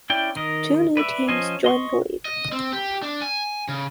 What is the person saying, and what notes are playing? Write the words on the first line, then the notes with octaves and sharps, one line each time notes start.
Two new teams joined the league.
C#4 E4 D5 G5
D#3 A#4 D#5
B4 D5 E5
F3 C#4 C5 D#5 G#5
D#5 C6 C#6
D#5
C4
G4
D4
G#5
C#3